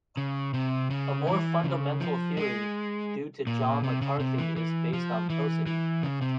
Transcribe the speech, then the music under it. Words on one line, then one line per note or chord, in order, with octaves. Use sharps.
A more fundamental theory due to John McCarthy is based on prosody.
C#3
C3
C#3
E3
C#3
F3
G#3
A#2
C3
C#3
C3
E3
E3
F3
E3
E3
C#3
C3